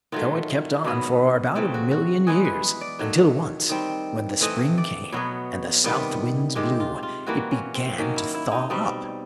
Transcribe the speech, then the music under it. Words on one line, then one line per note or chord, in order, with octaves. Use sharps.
So it kept on for about a million years, until once when the spring came and the south winds blew, it began to thaw up.
D#3 F#3 A3 F4
B2 F#3 B3
C#3 E3 A3 C4 F4
F#4
F#4
E3 G#3 B3 G#4
B4
D5
D#3 F#3 A3
D#3 G3 C4
E3 A3 C4 D#5
D5
B2 F#3 B3 C#5
C3 D#3 G3 B3
C3 D#3 G#3 G4
F4
F4
E3 G3 A#3 F#4
C#4
C4
D#3 F#3 A#3 C#4
E4
E4
D#4
B2 G3 C4 D#4